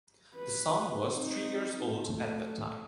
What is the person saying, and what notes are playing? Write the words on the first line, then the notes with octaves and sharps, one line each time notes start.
The son was three years old at that time.
B4
C4 D#4
A3